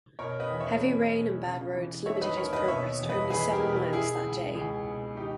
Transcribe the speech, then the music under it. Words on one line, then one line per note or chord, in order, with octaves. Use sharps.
Heavy rain and bad roads limited his progress to only seven miles that day.
B2 A#4 C#5
B4 D#5
E2
C#5 E5
E2
B2
C#3
E3
D#2 C#5 E5
B4 D#5
D#2 A#4 C#5
B4 D#5
B2 C#5 E5
E2
B4 D#5
E2 G#4 B4
G4 A#4
B2
G4 A#4
B2 E4 G#4
C#2
C#2 E4 G#4
B2
D#3 D#4 G4